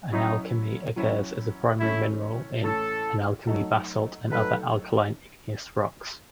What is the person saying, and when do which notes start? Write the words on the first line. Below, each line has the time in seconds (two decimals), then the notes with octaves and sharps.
Analcime occurs as a primary mineral in analcime basalt and other alkaline igneous rocks.
0.12 F#3 C#4 D#4 E4
0.96 F#3 C#4 E4
1.80 A2 E3 A3 C#4 E4
2.64 A2 E3 A3 C#4 A4
3.47 F#3 A3 D#4 A4
4.31 F#3 A3 D#4 A4 B4